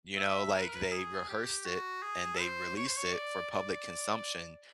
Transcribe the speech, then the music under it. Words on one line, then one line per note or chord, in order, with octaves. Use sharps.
you know, like, they rehearsed it and they released it for public consumption,
E5
A#4
B4
A#4
B4
A#4
G#4
G4
F#4
G#4
C5
C#5
C5
C#5
D5
D5